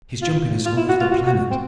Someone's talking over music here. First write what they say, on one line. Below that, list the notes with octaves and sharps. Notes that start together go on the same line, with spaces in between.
He's jumping us all over the planet.
F4
F4
E4
F#4
F4
F#4
F#4
C4